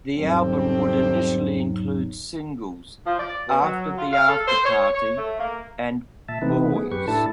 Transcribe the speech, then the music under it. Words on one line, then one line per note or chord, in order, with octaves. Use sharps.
The album would initially include singles "After the Afterparty" and "Boys".
E2 G#2 F#3 G3 A3 C4
F3
D5
B2
F#3
F4
F5
A4
C5
C#5
C#5
A3
A#3
A#2 E5 A5
C3 E3 A3 C4 D#4 B4
B3 G#4
F#2 G4 B4 C#6
A2 D4 E4 A4 A5